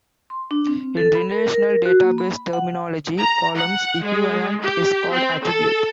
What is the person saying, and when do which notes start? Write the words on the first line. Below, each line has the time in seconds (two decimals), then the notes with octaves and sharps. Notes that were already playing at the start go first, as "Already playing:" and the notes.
In relational database terminology, column's equivalent is called attribute.
0.30 C6
0.51 D4
0.67 C4
0.97 A4
1.15 B5
1.31 A#4
1.54 A#4
1.86 F#4
2.01 A#3
2.18 B5
2.53 F#5
3.17 A#5
3.56 F#5
4.01 G#3
4.62 G4
5.10 C4
5.43 A4